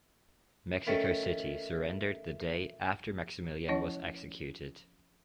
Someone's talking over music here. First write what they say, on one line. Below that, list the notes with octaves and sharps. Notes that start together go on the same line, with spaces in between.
Mexico City surrendered the day after Maximilian was executed.
D#3 A3 C#4 C#6
F3 C#4 E4 C#5 D#5 F#5